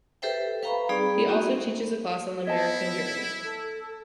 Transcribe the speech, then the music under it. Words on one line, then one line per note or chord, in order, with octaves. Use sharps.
He also teaches a class on the American Jury.
G4 A4 B4 C5 E5 G5
B4 F5 G5 A#5 B5 C#6
G3 C4 D#4 G#4 D5 B5
A#3 B3 D#4 E4 F#4 G4
B3 E4 D#5 A5
A4